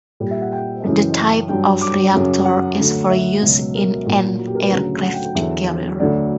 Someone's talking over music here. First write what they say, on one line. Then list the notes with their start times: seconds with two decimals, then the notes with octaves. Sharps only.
The type of reactor is for use in an aircraft carrier.
0.20 A#2 G3 G4
0.31 E5
0.42 F#5
0.52 G5
0.84 F#2 C#3 E3
1.49 G2 F#3 G5
1.81 D6
2.14 F#2 C#3 F#3
2.45 F#5
2.78 D2 D3 F#3
3.10 E5
3.43 C#2 B2 F#3
3.75 A#4
4.07 A#2 F#3
4.39 F#4
4.47 G4
4.55 A#4
4.63 B4
4.71 D2 C#3 F#3 A#5
5.03 F#5
5.14 G5
5.25 G5
5.35 E2 D3 F#3 E5
6.00 D2 D3 F#3 D5